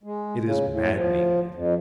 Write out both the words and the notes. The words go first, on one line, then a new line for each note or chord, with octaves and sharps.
It is maddening.
G#3
C#3
A2
F3
F2